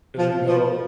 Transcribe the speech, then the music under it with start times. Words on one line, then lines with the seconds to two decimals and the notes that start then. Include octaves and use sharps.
'cause it can go
0.17 F3
0.47 F3